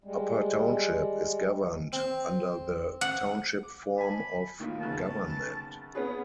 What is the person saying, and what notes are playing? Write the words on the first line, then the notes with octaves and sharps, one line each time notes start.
Upper Township is governed under the Township form of government.
G3 G#3
C4
F#5
D6
G#5 A5 B5
D#2 A2 D#3 F4
F#2 C#3 B3 A5
B3 C#4 G#4 B4